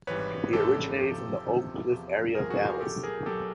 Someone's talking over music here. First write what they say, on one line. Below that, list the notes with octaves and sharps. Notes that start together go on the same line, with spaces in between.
He originated from the Oak Cliff area of Dallas.
G#1 G#2 E3 G3 B4 C#5
G#1 G#2 E3 G3 G4 A4
F2 C3 F3
F2 C3 F3
E2 C3 F3
E2 C3 F3 G#4 A#4
F#4 G#4
F4 G4
B1 A2 F#3 G4 A4
G#4 A#4
B1 A2 F#3 G4 A4